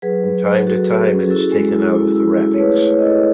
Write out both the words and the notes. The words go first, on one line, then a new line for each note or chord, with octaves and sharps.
From time to time it is taken out of the wrappings.
F#3 G#4 B4
F#3
F#3
F#3 F#4 A4
F#4
G#4
C#4
G#4
E4 F#4 A4
G#3
E4
E4
E4
E4
C#5
A3 G#4 B4
E4
C#5
D#5
E4 A4 C#5